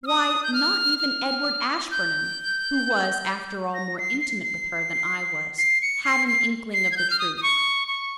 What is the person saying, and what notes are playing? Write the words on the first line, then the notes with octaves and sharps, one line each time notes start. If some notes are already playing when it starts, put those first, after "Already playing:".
Why, not even Edward Ashburnham, who was, after all more intimate with her than I was, had an inkling of the truth.
F6
D#6
G6
F6
F6
G6
A#6
C7
C7
C7
C7
C#7
C7
C7
C7
G#6
G6
F6
D#6
D#6
C#6
C#6